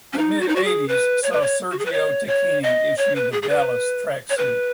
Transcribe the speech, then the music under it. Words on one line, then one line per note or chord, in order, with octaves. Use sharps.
The mid-eighties saw Sergio Tacchini issue the "Dallas" tracksuit.
C#4
D#4
F#4
D#4
F#4
G#4
B4
C#5
B4
C#5
F#4
G#4
B4
C#5
C#5
D#5
C#5
B4
G#4
G#4
B4
C#5
B4